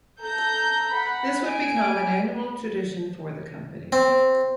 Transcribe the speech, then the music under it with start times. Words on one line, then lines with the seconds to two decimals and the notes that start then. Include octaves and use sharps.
This would become an annual tradition for the company.
0.20 A4 A#5 G6
0.93 F#5 B5
1.46 G#5 D7
3.92 C4